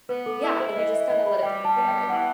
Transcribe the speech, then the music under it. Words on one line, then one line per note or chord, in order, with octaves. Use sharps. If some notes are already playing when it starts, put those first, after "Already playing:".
Yeah, and you just, kinda let it sit there.
B3 B4
A4
E4
C5
E3 D#5
E5
E3 D#5
B5
G3 G5
A5
B3
G5
E3 F#5